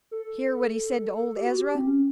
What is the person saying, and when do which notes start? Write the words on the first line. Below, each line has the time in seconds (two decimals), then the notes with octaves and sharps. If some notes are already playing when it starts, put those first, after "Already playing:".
Hear what he said to old Ezra?
0.11 A4
1.37 G4
1.46 F#4
1.58 G4
1.75 C4
1.87 C#4